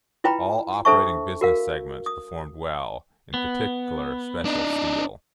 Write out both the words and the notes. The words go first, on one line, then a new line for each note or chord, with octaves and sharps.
All operating business segments performed well, in particular special steel.
E4 F4 B4 G5 A#5 B5
D4 A4 C5 E5 A5 C#6
F#4 A#4 F5
D#6
B3
D4 D#4